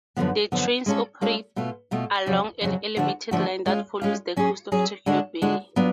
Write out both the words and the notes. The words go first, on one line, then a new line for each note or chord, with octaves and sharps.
The trains operate along an elevated line that follows the coast of Tokyo Bay.
F#2 D3 F3 B3
F#2 D3 F3 B3
G#3 C#4 F4 A4
G#3 C#4 F4 A4
B2 A3 F4
B2 A3 F4
F2 C#3 F#3
F2 C#3 F#3
D3 F3 A3 D4 F#4
D3 F3 A3 D4 F#4
G#3 C#4 F4
G#3 C#4 F4
F#3 C#4 G#4
F#3 C#4 G#4
D3 G#3 D4 F#4
D3 G#3 D4 F#4
F#3 B3 D4 F4